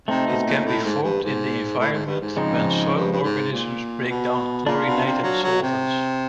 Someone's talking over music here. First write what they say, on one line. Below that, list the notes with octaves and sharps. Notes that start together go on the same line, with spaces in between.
It can be formed in the environment when soil organisms break down "chlorinated" solvents.
C3 A3 C4 D#4
B2
A#2
A2
G#2
G2
G#2
A2
G#2
G2
G#2
C#3 F3 G#3 C4 D#4
G2
G2
G#2
A#2
B2
A#2 D4 F4 A#4
B2
C3
F#3
F#3
C3